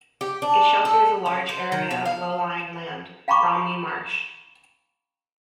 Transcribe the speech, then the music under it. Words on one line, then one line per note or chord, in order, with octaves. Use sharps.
It shelters a large area of low-lying land, Romney Marsh.
G4
D4
A4
C#4
C5
D#3
B2
F5
F5 G5 A#5 B5 C#6 D6